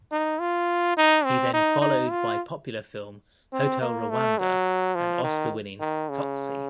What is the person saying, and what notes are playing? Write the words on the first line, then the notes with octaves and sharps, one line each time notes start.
He then followed by popular film "Hotel Rwanda" and Oscar Winning "Tsotsi".
D#4
F4
D#4
C4
D#4
D#4
F4
C4
A#3
A3
F#3
F3
D#3
D#3
C#3